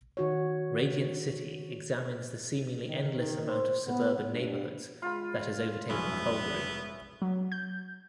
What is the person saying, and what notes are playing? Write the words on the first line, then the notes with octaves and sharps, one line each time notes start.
"Radiant City" examines the seemingly endless amount of suburban neighbourhoods that has overtaken Calgary.
D#3 F#4 C#5
D#3
D#3
C5
B3
G2
G#3 F4 B5
F1 G2 F#3 B3 C#4 E4
F#3
G6